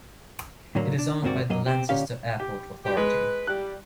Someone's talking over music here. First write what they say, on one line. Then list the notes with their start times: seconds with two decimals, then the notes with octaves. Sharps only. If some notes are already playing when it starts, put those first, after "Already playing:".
It is owned by the Lancaster Airport Authority.
0.75 A2 D3 F#3 A#3
0.99 D4
1.23 D#2 G#2 A#3 C4 F#4 D5
1.50 F#2 F#3 A#3 D#5
1.66 C4 G4
1.89 A#2 D3 C#4 G4 F5
2.40 G4
2.84 F#4 G4
2.97 G#3 B4
3.47 G3 F#6